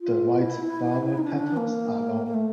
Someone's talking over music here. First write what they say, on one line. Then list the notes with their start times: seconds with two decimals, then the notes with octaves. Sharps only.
The white flower petals are long.
0.01 F4
0.40 E4
1.18 D#4
1.24 D4
1.31 C#4
1.39 D4
1.57 A#3
2.27 A#3
2.34 A3